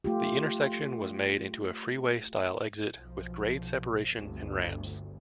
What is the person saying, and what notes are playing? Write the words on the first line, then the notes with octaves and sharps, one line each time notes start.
The intersection was made into a freeway-style exit with grade separation and ramps.
A3 F4 G4
B1 F3
G1 D2